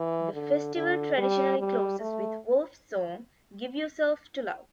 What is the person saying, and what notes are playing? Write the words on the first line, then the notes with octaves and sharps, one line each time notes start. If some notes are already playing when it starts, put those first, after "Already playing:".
The festival traditionally closes with Wolf's song, Give Yourself to Love.
Already playing: E3
D3
D3
G3
G3
A3